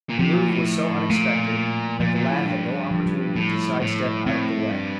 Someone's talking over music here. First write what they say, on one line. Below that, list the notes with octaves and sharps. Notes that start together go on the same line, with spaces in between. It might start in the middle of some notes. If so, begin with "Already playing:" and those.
The move was so unexpected that the lad had no opportunity to side step out of the way.
A#2
C3 F3
A#2
A2
A#2 A3
A#2 F3
A#2
A2
G2
F3
G3
A2 F3
A2
A2 C4
G2